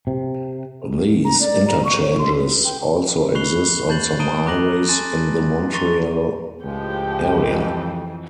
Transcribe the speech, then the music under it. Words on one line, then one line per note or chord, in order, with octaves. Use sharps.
These interchanges also exist on some highways in the Montreal area.
C3
A#5
D5
A#5
C#6
C#5
C6
B4
G5
B5 C#6 F#6 C7 F7 G7
A5 G6 A6 F#7
A5 A#5 D#6 D7 D#7 G7
A5 A#5 D6 F#6 A#6 F#7
G#5 A5 C6 A6
A#5 C6 C#6 A6 D#7 F7
C#2 A2 F3 G#3 G4 G5
F2 E3